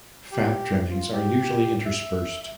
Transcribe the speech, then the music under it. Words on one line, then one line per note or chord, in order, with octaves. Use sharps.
Fat trimmings are usually interspersed.
G4
F4
G4
E5